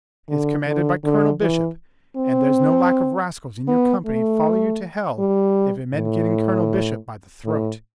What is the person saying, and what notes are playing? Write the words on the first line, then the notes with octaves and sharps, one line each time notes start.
It's commanded by Colonel Bishop, and there's no lack of rascals in your company'd follow you to hell if it meant getting Colonel Bishop by the throat.
D3
D3
D3
E3
C4
B3
A3
G3
A2
A2